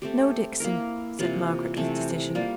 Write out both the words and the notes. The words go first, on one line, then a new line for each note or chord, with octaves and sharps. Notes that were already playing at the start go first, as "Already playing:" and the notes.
'No, Dixon!' said Margaret with decision.
A3 C4 G4
A#3 E4 A#4
C3 E3 A#3 F4
C3 E3 A3 C4
G3 A#3 F4